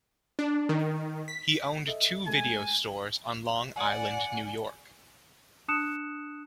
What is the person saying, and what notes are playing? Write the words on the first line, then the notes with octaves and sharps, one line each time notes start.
He owned two video stores on Long Island, New York.
D4
D#3
B6
A4 D#5 E5
G#3 A3 G#5
D5 F#5 G#5
D4 A5 D#6 F#6 C#7 E7